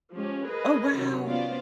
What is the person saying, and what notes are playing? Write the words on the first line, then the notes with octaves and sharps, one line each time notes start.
Oh, wow.
F3 G#3 C#4 G4
G#4 A#4 B4 D#5
C3 D#3 F#3 C#4
B3 C#4 F4 C5 D5 F5